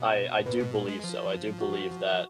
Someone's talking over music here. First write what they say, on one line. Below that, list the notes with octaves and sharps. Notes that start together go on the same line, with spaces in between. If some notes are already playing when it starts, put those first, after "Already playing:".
I I do believe so. I do believe that,
Already playing: B2
A#2 B4
B2
A#2
G#3
F3
F#4